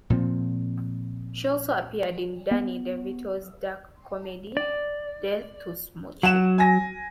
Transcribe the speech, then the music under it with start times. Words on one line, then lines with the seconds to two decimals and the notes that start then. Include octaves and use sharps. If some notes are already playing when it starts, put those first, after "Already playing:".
She also appeared in Danny DeVito's dark comedy, "Death to Smoochy".
0.10 A#2 F3 C4
2.51 B3
4.57 D5
6.23 F#3 F#5 E7
6.58 G#5 A#6